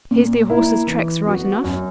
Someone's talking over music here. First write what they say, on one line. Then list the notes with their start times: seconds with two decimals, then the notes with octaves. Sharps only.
Here's their horses' tracks right enough.
0.11 A#2
0.50 A#3 E4
0.87 E3
1.26 B3 F#4
1.64 F#2